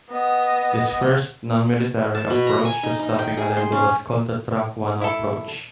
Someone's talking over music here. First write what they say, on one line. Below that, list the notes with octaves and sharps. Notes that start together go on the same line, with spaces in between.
This first, nonmilitary, approach to stopping Allende was called the Track I approach.
B3 D#5
A5
B2
A#5
G#5
D#4
D#4
G5
G#4
C6
C#4
E4 A4